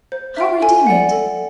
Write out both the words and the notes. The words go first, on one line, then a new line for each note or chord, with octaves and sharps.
How redeem it?'
C5
E5 G5
A4 G#5
D5 F#5
A4